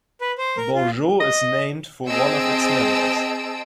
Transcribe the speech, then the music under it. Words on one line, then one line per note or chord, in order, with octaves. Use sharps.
Borgeau, is named for one of its members.
B4
C5
A#4
F4
D#5
C4 G#4 D#5 A5 E6 D7